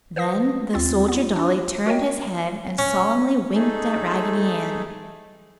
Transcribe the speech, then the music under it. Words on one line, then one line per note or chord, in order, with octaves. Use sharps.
Then the soldier dolly turned his head and solemnly winked at Raggedy Ann.
B4 C5 F5 D#6 A#6
D#2 C4 F4 A6
B3 F4
D4 F4
F#4 A#4 C#5 D#5 G5
C#4
A3 D#4 G#4 A4